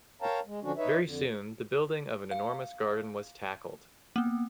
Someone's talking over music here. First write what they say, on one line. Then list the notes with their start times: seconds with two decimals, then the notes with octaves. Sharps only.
Very soon, the building of an enormous garden was tackled.
0.22 A#4 C#5 F5 G5 A5 A#5
0.46 G#3
0.63 D3 F3 C#4 D4 F#4
0.77 D#4 B4 C#5 E5
1.03 F2 D3
2.31 F5
4.16 A#3 B3